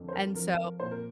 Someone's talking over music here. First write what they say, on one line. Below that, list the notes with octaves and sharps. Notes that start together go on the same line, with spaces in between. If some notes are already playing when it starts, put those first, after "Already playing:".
and so,
Already playing: F2 D3
C5
A#4
F3 A#4
A#4
A#2 C5
A#4